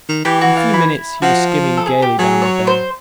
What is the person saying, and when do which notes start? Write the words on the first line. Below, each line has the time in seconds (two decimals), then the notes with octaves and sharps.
In a few minutes he was skimming gaily down the bay.
0.09 D#3
0.25 E3 G4
0.41 F#4
0.57 F4
0.73 E4
1.22 F3 F#4
1.77 A4
1.86 G#4
2.02 G4
2.19 F#3 G#4
2.42 C#5
2.67 C5